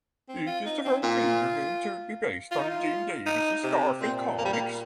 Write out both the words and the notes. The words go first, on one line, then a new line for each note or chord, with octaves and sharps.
It is the first video game to be based on Jim Davis' "Garfield" Comics.
C4
F4
D#4
C4
A#2 F4
F4
D#4
F4
D#4
C3
A#2 C4
A#3
G3
A#3